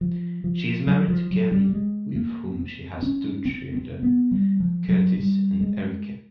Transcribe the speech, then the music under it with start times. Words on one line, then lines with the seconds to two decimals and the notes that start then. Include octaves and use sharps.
She is married to Kelly with whom she has two children, Kurtis and Erika.
0.01 F3
0.44 F3
0.87 F#3
1.08 F3
1.31 F#3
1.52 G3
1.73 G#3
2.16 A#3
2.59 C4
3.02 C#4
3.45 C4
3.75 C4
4.03 B3
4.31 G3
4.60 F3
4.89 F#3
5.18 G3
5.61 G#3